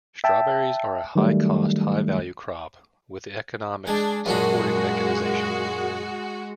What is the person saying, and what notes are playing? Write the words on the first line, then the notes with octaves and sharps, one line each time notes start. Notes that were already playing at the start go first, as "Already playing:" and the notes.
Strawberries are a high cost-high value crop with the economics supporting mechanisation.
E5 G5 A5
D#3 F#3 G3 A3
G#3 D4
F#2 A#2 G#3 D4 F#4